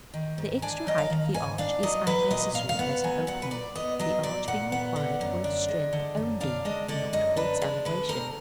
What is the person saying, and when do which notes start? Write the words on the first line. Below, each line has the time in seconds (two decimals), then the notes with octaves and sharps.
The extra height of the arch is unnecessary as an opening, the arch being required for its strength only, not for its elevation.
0.14 D#3
0.38 G#2
0.62 D4 G#5
0.87 F#3 D#5
0.98 F5
1.10 D#3
1.34 G#2 G#5
1.58 D4 F5
1.83 F#3 D#5
2.07 F#3 B4
2.31 A#2 D#5
2.55 A#2 F5
2.69 F5
2.79 B3 F#5
3.04 F#3 G#5
3.27 A#2 F#5
3.42 B4
3.51 A#2 D5
3.75 B3 D#5
3.99 F#3 D#5
4.23 A#2 D5
4.48 A#2 F#5
4.72 B3 F#5
4.96 D3
5.21 F#2
5.44 D4
5.68 G#3
5.93 D3
6.17 F#2
6.41 D4 F5
6.65 G#3 D#5
6.88 D3 D5
7.13 F#2 D#5
7.37 D4 B4
7.62 G#3
7.85 D3 B4
8.09 D2 A#4